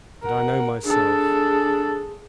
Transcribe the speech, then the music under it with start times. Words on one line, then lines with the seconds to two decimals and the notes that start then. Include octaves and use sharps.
And I know myself.
0.23 A#4 F#5
0.84 D4 G#4 A4